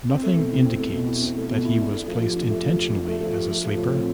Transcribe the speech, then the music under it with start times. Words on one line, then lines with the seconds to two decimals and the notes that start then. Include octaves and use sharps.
Nothing indicates that he was placed intentionally as a sleeper.
0.09 C4
0.23 A3
0.37 B2
0.51 E4
0.65 C4
0.79 A3
0.95 B2
1.08 E4
1.22 C4
1.37 A3
1.51 B2
1.65 E4
1.79 D4
1.93 A3
2.08 F3
2.22 G4
2.36 D4
2.50 A3
2.65 F3
2.79 G4
2.93 D4
3.08 A3
3.21 F3
3.36 G4
3.50 A3
3.65 F3
3.78 A2
3.93 C4